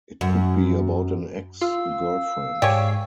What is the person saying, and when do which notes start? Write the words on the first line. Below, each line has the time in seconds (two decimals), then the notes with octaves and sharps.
It could be about an ex-girlfriend.
0.21 F#2
1.62 F4 F5 E6
2.62 G#2 G4 C#5 D5 G#5